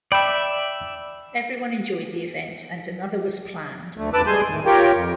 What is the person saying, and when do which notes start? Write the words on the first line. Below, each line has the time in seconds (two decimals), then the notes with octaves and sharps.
Everyone enjoyed the event, and another was planned.
0.12 D5 E5 G5 B5 G6
3.97 D2 D3 A3
4.13 F2 B4 A5 D6 E6 F#6
4.27 G3 G#3 G#4 G#5 C6 G6
4.49 A2 D#3 E3
4.66 F4 G4 A#4 C#5 G5
4.93 F2